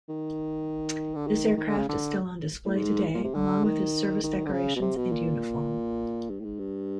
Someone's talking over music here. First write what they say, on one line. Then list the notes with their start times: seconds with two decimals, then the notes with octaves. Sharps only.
This aircraft is still on display today along with his service decorations and uniform.
0.09 D#3
1.15 D3
1.27 D#3
1.57 D#3
1.68 D3
1.78 C#3
1.89 D3
2.65 A2
2.75 G#2
3.14 A#2
3.24 C3
3.34 D3
3.64 D#3
4.23 D#3
4.46 D3
4.52 C#3
4.76 B2
4.81 C3
4.97 B2
5.12 A#2
6.30 G2
6.40 A2
6.45 G#2
6.59 G2